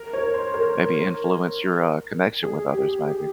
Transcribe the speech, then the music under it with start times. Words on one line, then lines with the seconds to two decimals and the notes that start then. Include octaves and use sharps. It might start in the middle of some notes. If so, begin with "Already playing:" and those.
maybe influence your, uh, connection with others maybe?
Already playing: A#4
0.13 C#5
0.34 C5
0.54 A#4
2.43 G#4
2.72 G4
2.98 G4